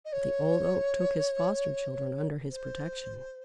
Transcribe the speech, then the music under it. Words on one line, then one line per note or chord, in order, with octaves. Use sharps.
But the Old Oak took his foster-children under his protection.
D#5
C#5
C5